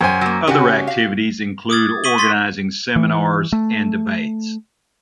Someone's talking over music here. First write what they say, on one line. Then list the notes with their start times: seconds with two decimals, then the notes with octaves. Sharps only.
Other activities include organizing seminars and debates.
0.01 F#2 C5 G5 G#5
0.21 F#3 A#3
0.47 C#3 C#4 F#4 G4
0.87 F5
1.70 D6 D#6 G#6 A6
2.04 C#6 D#6 B6 D#7 F#7 G7
2.18 C6 A6 B6 G7
2.96 E3
3.52 A3